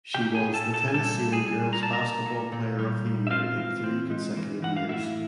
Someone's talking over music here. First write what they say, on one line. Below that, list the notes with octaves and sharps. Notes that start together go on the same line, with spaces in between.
She was "The Tennessean" girls basketball player of the year in three consecutive years.
A#2 G4 G5
G#4 G#5
A#3
A4 A5
A#2
A4 A5
G#5
G3 A4 A5
A#2
G#4 G#5
G3
A#2 A#5
A5
A#4 A#5
A#3
A#3
A#2
G3
A#2
E5
C4 F4 F5
E3
C4
G#3
E3
E3 F#5
F5
A2 E4 E5